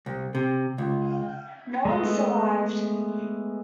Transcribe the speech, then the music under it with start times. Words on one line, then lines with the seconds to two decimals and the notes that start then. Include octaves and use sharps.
No one survived.
0.06 C2
0.35 C3
0.78 C#2
1.85 G#3 A3 B3 D#5